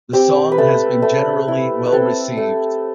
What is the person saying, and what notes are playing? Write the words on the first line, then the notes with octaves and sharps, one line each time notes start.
The song has been generally well received.
C4 G4
B4
A3 A4
A3
E4
B4
C4 A4
A3